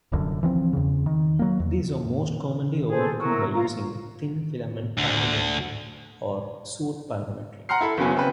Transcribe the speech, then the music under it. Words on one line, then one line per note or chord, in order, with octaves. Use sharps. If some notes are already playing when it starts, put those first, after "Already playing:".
These are most commonly overcome by using thin filament pyrometry or soot pyrometry.
D#1 C2 F#2 D3
E3 F3 C4
E2 C#3
D#3
F#3 A#3
E2
G#4 A4 C5
F#3 E4 A#4
F4 A#5
D2 D3
F#5 A#5 C6 F6 C7
E4 A4 B5
F#1 F#2 F#3 B3 G#5
C#3 C4 B4